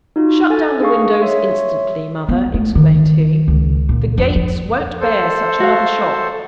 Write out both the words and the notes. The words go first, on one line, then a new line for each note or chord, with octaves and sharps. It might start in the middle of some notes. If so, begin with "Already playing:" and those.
'Shut down the windows instantly, mother,' exclaimed he: 'the gates won't bear such another shock.
D#4 F4 F#4
A4 G#5 A6
D4 G#4 F5 C#6
C#5 E5 C6
B3
A3
D#3
C#2
A#2
F2
F3
A4 C5
F#4 F5